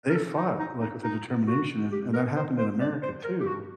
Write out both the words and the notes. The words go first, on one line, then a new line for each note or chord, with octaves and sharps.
they fought, like, with a determination and and that happened in America too,
A#4
A4
D#4
D#4
D#4
D#4
F#4
G4
A#4
C5
C5
D5
C5
A#4
G4
F#4